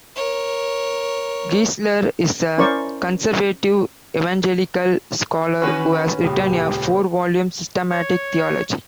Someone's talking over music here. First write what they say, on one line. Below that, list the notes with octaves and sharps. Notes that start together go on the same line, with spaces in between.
Geisler is a conservative evangelical scholar who has written a four-volume systematic theology.
A#4 C#5
C#4 E4 A#4 C5 D5 C#6
D#3 C#4 F#4 B4
D#1 C#2 B3 G4
C#5